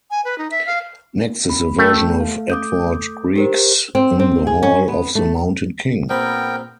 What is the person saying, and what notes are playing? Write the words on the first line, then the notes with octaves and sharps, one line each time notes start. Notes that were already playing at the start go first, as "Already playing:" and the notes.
Next is a version of Edvard Grieg's In the Hall of the Mountain King.
G#5
B4
D#4
E5
F5
B5
A3 G5 G6
F5
D6 D#6 G6
G4 A#4 C5
C4
C4
G#4
C#4
B3
A3
A#1 B3 C4 A#4 G5 B5